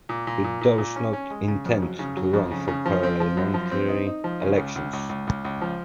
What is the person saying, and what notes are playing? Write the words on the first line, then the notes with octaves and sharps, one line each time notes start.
It does not intend to run for parliamentary elections.
A#2
A#2
A#2
A#2
A#2
C#4
C#4
G#3
C#3
F2
F#3
C#3
F#3
F2
C#3
C#3
F3
C4
F3
F#2
F3
C4
D#4
D#4
F3
C#3
C#2
C#2
C#2
C#2
C#2
C#2
F3